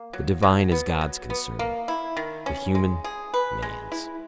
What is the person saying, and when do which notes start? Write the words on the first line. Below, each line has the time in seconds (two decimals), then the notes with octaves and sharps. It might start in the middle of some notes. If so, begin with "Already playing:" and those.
The divine is God's concern; the human, man's.
Already playing: A#3
0.13 F#3
0.43 F#3
0.72 B3
1.01 F#3
1.30 B3
1.59 A#3
1.88 E4
2.17 D#3
2.46 C#4
2.75 G#3
3.04 G#4
3.34 B4
3.62 G#3
3.92 E4